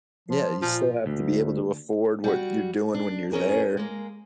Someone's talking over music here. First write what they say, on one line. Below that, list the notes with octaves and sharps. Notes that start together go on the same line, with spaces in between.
Yeah, you still have to be able to afford what you're doing when you're there,
F3
A#2 F3
D2
G3 F#4
D4
F2 C#4 G#4 A#4
G#3 A#3